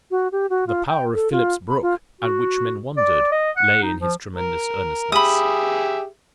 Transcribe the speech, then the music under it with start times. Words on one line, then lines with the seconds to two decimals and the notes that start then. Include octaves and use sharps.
The power of Phillips Brooks, at which men wondered, lay in his tremendous earnestness.
0.11 F#4
0.32 G4
0.50 F#4
0.67 F4
0.87 G5
1.15 A4
1.32 F4
1.68 B5
1.82 F4
2.21 F#4
2.97 D5
3.32 D#5
3.56 F#5
3.82 D#4
4.00 F3
4.36 A#4
5.12 G4 G#4 E5 B5 D#6